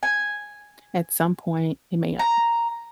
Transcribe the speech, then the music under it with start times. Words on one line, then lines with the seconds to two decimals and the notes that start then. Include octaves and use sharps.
at some point, it may not
0.03 G#5
2.19 A#5